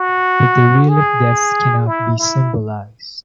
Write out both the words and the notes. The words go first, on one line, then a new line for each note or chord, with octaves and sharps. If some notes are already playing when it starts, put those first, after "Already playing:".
But the real of death cannot be symbolized.
Already playing: F#4
G#4
E4
E4